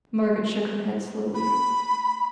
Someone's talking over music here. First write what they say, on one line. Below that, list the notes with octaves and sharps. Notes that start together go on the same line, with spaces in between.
Margaret shook her head slowly.
B5